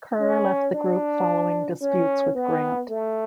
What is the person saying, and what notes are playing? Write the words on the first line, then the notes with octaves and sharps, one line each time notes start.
Kerr left the group following disputes with Grant.
C#4
D4
C#4
B3
A3